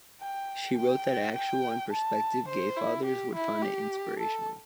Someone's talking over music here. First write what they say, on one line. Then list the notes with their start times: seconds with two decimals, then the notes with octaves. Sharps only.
She wrote that actual and prospective gay fathers would find it inspirational.
0.21 G5
0.78 G5
1.35 G5
1.92 A5
2.48 C5
2.77 E4
3.05 G4
3.35 E4
3.62 G4
4.20 A4